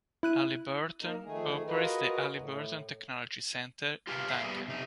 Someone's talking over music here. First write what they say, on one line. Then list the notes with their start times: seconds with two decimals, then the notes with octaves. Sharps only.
Halliburton operates the Halliburton Technology Center in Duncan.
0.23 E4 F#6 D#7
1.00 A#3 D#4 A#4
1.24 F2 D#3 A3 G#4
1.68 F4 F#4 G#4 A#4 B4 D#5
2.34 A2
4.07 F4 G4 G#4 B4 F5
4.30 F4 G#4 A#4 E5 F5
4.42 G3 B3 G#4
4.68 C3 D#4